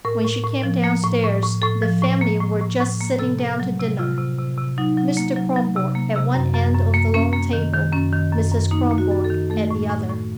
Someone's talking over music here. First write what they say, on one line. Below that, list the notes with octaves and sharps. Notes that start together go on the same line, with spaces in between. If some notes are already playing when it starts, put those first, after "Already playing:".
When she came downstairs the family were just sitting down to dinner, Mr. Kronborg at one end of the long table, Mrs. Kronborg at the other.
A2 A#4
A2
A2
F3
A#3
A2
A2
A2
A2 A4
F3
A2
A#3
A2
A2
A2
A#3
C3 A4
A#3
F#3
C3
C3 F4
C3
C3
C3
F#3 D#4
F#3
A#3
F#3
F#3
C3
A#3
C3
F#2
F#2
F#2
A#3
A#3 C#4
A#3
D#3
D#3
F#2 C#4
D#3
F#2
F#2
A#3 D#4
A#3
F#4
F#2
A4
D#3
A3 A4
A2
A2
A2